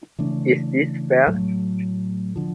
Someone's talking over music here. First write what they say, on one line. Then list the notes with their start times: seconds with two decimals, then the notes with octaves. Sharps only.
Is this fair?
0.19 C#3 E3 A3 D4
1.27 A2 F#3 A3
2.36 D3 F3